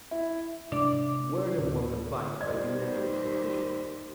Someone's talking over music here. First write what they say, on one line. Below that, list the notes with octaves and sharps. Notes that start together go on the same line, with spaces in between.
Werdum won the fight by unanimous decision.
E4
C3 G#3 D4 D5
D2 A2 D3
D#2 G3 C5 D5 D#5 G#6